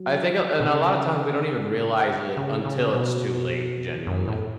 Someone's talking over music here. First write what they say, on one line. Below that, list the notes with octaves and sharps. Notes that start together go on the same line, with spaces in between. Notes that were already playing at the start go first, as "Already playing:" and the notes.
I think, uh and a lot of times, we don't even realize it until it's too late genuinely.
Already playing: F#3
B2
C#3
C#3
C#3
B2
F#2
A2